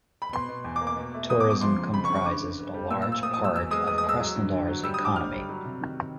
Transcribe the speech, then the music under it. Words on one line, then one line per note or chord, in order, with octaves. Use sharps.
Tourism comprises a large part of Krasnodar's economy.
B5
B2 C6
B2
E2
D6
A#3
D6
B2
A3
B2 D#6
D6
B2
D6
F3 C6
C#3
C#3 B5
C#6
C#3
C#6
G2 D6
G2
G2
G3
A#2 E6
E6
A#2
E6
A#2 D#6
D#6
F#3
E6
E2 E6
G#3 D#6
E2 D#6
D#6
G#3
E6
F#3
G2
D3
F#3
G3 E6
D#6
G2
D6
D3 F6
G3
F#3
C3
D#3